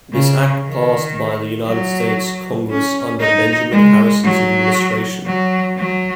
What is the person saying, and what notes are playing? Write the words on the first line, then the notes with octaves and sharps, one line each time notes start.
This act passed by the United States Congress under Benjamin Harrison's administration.
C#3
D#3
F#3
C#4
D#4
G#3
F#3
F#3
F#3